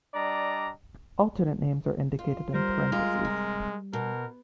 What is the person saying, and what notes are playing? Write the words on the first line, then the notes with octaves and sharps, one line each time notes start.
Alternate names are indicated in parentheses.
G3 D4 D5 D#5 A#5
F4
G3 A#4 C5
G#3 F4
C3
B2 A#4